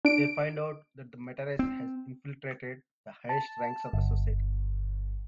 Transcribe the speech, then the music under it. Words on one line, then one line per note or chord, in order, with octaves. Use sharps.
They find out that the Matarese has infiltrated the highest ranks of the society.
D4 D7
C4
A5
G1